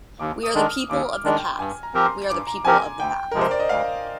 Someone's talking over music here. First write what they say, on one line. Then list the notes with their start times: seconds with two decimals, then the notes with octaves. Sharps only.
We are the people of the path; we are the people of the path.
0.19 D#2 D6
0.43 D#6
0.54 D#3 G#3 D4
0.66 F6
0.90 D#2 D6
1.13 F6
1.24 D#3 G#3 D4
1.36 G5
1.59 G2 G#5
1.83 A#5
1.94 F3 C4 G4 A#4 A#5
2.06 C6
2.30 G2 D6
2.47 A#5
2.64 F3 C4 G4 A#4 G#5
3.00 D2 G5
3.31 C3 F3 G#3 A#4
3.41 C5
3.51 D5
3.60 D#5
3.69 D2 F5